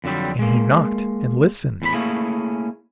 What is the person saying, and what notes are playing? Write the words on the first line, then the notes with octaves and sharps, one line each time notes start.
And he knocked and listened.
F2 D3 F#3 G3
G#3 A#3
E2 A2 B5
A3 A#3 C#4 E4 G#4